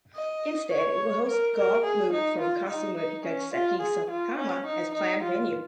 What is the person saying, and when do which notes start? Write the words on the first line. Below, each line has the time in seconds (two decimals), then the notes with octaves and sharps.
Instead it will host Golf moved from Kasumigaseki, Saitama as planned venue.
0.15 D#5
0.72 C#5
1.28 A#4
1.57 A#4
1.84 G#4
2.12 D#4
2.40 F4
2.69 D#4
2.97 D#4
3.25 C#4
3.53 F4
3.81 G#4
4.09 F4
4.37 C#4
4.65 D#4
4.93 D#4
5.22 F4